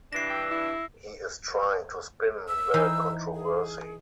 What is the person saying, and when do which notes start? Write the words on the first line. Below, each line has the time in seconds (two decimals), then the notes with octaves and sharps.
He is trying to spin the controversy.
0.13 G2 E3 D4 A#6 C7
0.29 G5 E6
0.51 E4
2.48 E6
2.74 E3 D#4 C5
3.34 G#4